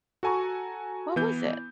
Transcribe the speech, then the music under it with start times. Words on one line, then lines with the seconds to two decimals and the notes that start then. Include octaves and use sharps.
What was it?
0.23 F#4 A4 G#5 A#5 C#6
1.16 E3 B3 G6